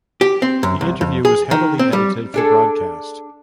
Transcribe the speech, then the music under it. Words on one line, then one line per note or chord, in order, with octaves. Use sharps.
The interview was heavily edited for broadcast.
G4
C4
F#2
C2
F2
G#4
D#3
C4
G3
D4 G#4 A4